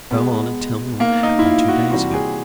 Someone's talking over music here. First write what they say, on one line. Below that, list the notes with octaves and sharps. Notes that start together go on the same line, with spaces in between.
But go on and tell me what happened two days ago.
B2 G#3 B3
A#3
D#4
E4
F4
F#4
F4
C3 E3 G3 F#4
G#4